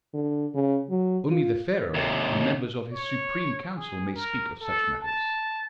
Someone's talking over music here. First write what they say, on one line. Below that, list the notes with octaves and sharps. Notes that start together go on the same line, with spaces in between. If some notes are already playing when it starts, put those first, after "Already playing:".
Only the pharaoh and members of his supreme council may speak of such matters.
D3
C#3
F#3
F4
D#2 C3
C#5
G#4
A#4
A4
A5